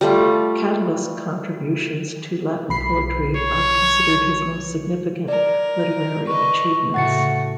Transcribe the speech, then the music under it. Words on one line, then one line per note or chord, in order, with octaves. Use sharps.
Catulus's contributions to Latin poetry are considered his most significant literary achievements.
G3 A3 F4
B1 B5 C7
C#5
A#4 D5
B4 D#5 C#6
A2 C#3 A3 F#4 F#5 A6 C#7 E7